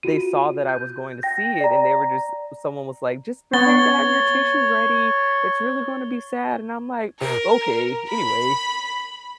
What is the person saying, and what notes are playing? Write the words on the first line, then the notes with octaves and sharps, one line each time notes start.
they saw that I was going to see it and they were just someone was like, "Just prepared to have your tissues ready, it's really gonna be sad." And I'm like, "Okay. Anyway,
F4 F#4 D#7
G6
G5 A#6
D5 A#5
B3 C#5 A6 G7
A#4
B5